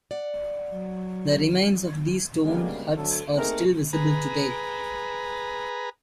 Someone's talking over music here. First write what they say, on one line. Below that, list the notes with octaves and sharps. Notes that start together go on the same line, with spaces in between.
The remains of these stone huts are still visible today.
D5 F#5
F#3
D2 C#3 G3 G#3 A#3 B3
D2 F#3 A4
A3 A#3 C4 D#4 G#4 A#4
G#4 B4 A#5